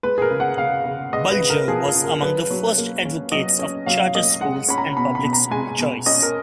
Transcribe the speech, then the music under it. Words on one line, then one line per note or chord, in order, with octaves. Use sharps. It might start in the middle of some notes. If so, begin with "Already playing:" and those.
Bulger was among the first advocates of charter schools and public school choice.
G#3 B4
G#4
A#4
C#3
F#5
C#3 F5
C#3
G#3 D#5
B4
C#3
A#4
F3 G#4
G#4
C#3
A#4
F#3 B4
F#3
A#3
C#4
F#3 D#5
C#4
F#3 F5
A#3 D#5
G#3 F#5
C#4 B5
A#5
B2 B5
B5
B2
A#5
G#3 G#5
B2
C#4 D#5
A#4